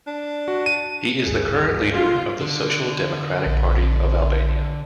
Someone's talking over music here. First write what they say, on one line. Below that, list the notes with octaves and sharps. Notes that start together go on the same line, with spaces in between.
He is the current leader of the Social Democratic Party of Albania.
D4
F#4
D#7
G#1 D2 G2 G#4
F4
D3
A#1